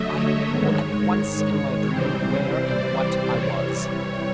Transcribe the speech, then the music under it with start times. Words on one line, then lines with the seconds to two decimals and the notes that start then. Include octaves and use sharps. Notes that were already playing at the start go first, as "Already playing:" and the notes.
I knew at once in my dream where and what I was.
Already playing: D3 F#3 A3 D#5 E5
0.10 C#5
0.46 G#2 D#3 G#3
1.89 C3 E3 G3 C4 C5
2.61 D5
3.32 C3 E3 G3 C#5